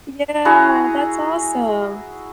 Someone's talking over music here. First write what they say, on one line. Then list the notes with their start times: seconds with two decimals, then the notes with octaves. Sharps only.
Yeah, that's awesome.
0.45 E4 F#4 G#4 A#5